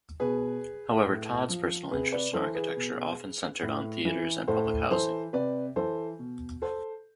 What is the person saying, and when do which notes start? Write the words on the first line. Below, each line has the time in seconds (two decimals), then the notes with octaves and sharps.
However, Todd's personal interest in architecture often centered on theaters and public housing.
0.20 B2 G#4 B4
1.06 A2
1.49 F3
1.91 C3 G#4 B4
2.12 B4 D5
2.33 E3 A4 C5
2.55 G#4 B4
2.76 B2
3.62 A2
4.05 E3
4.48 A2 A4 C5
4.91 E3 A4 C5
5.33 C3 B4 D5
5.76 E3 A4 C5
6.19 B2
6.62 A4 C5